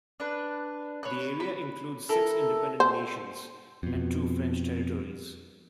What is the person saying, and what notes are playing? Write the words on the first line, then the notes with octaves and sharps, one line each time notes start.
The area includes six independent nations, and two French territories.
D4 B4
C#5 B5 F#6
B5
E4 A4 A#4
C5
F2 B2